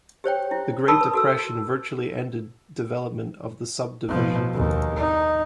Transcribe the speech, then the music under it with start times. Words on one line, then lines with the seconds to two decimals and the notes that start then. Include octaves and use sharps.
The Great Depression virtually ended development of the subdivision.
0.24 G4 C5 C#5 G5
0.51 E4
0.88 A#4 A5 B5 C#6 D#6 E6
1.01 B4
1.14 F#4 A4 E6
4.08 B2 F3
4.54 D#2
4.96 D#4